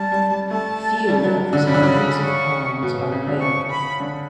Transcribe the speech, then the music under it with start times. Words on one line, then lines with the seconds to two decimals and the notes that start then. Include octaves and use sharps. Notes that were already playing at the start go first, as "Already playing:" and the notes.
Few of his hundreds of poems are available.
Already playing: G3 A5
0.12 G3
0.31 G3
0.51 A3 A5
1.08 G3
1.23 F#3
1.53 D3
1.67 C#3 B5
1.74 D3
1.83 C#3
2.25 C#6
2.82 B2
2.98 B2
3.12 C#3
3.27 D3
3.41 C#3 C#6
3.70 B5
4.00 D3